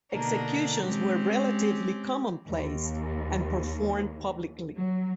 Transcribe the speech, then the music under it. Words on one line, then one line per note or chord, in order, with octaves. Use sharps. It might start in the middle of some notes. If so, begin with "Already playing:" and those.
Executions were relatively commonplace, and performed publicly.
B2 D3 A#3 D4 D#4
G#3 C4 C#4 G4
D#2
F#3